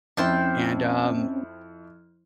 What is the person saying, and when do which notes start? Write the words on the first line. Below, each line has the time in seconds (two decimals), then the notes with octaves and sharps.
and, um,
0.17 F2 C4 C#4 E4 C5 G5 A5